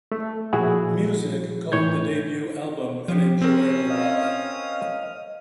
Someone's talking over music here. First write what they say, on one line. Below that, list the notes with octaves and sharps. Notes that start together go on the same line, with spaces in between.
Music called the debut album an enjoyable ride.
A3
A#2 F3 E4 F#4 G#4
A2 E3 C#5 G6 G#6
F3 G4
C4 C#4 A#4 D#6
D#5 F5